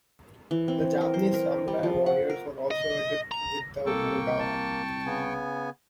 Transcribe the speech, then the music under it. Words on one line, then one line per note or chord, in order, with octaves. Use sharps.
The Japanese samurai warriors were also adept with the wodao.
E3
C4
A#4
C5
A#4
G3
F3
F#5
A#4
D#5
A#5
C2 A#3 A4 G5 C#6
C2 A5
C#3 B3 G#5